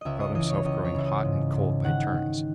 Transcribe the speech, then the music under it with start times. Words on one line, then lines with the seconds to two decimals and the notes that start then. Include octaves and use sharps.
He felt himself growing hot and cold by turns.
0.01 C#2 D#5 E5
0.20 D#5
0.35 E3 D#5
0.50 C#5
0.65 C#2 D#5
0.85 C#5
0.95 C#3 E5
1.05 D#5
1.25 G#2
1.55 G#2
1.84 D#3 F#5
2.14 D#3